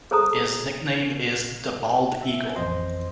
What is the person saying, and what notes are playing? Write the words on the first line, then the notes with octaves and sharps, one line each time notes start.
His nickname is "The Bald Eagle".
G#4 A4 C5 A5 A#5 D#6
E5
A1 F2 C5 D#5 C6